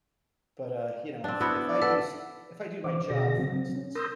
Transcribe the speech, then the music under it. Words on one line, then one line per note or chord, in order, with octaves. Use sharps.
But, uh, you know, if if I do s if I do my job, for instance,
C4 D4
B3 E4 F#4
D5
A4 B4 F#5
E3 C5 D6
B2 D3 F#4 G#4 A#6
C#3 F#3 C4
C#4
A#4 C6 D#6 E6 G6 A#6